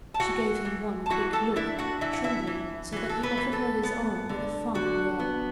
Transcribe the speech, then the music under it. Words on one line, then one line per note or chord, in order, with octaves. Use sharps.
She gave him one quick look, trembling so that he offered her his arm with a fatherly air.
A5
E3 F#4 F#5
E3
A5
E3 F#4 F#5
A4 A5
D4 E4 E5
F#4 F#5
E3 E5
F#5
E4 E5
E3
E3 F#4
A4
B3 B4
E3
A4
B3
D3
D3 F#4
B3